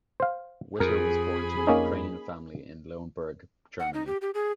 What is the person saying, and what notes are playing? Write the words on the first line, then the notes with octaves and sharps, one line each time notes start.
Witer was born to a Ukrainian family in Leonberg, Germany.
C5 F5
F2 G#4 A#4 B5
A#3 C#4 D#4
F#5
D#4
G4
G4
G#4